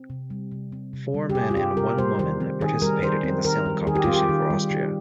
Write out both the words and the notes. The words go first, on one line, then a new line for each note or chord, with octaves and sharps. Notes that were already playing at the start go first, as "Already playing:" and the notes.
Four men and one woman participated in the sailing competition for Austria.
Already playing: C4
C3
G3
C3
C4
C3
G3
G4
C3 G#4
F4
C4 G4
C3 A#4
G3 C5
D#3 C5
C4
D#3 G#4
G3 A#4
D#3 C5
C4
D#3 A#4
G3
D#3 G#4
G4
F4
C4
G4
D#3
G3
D#3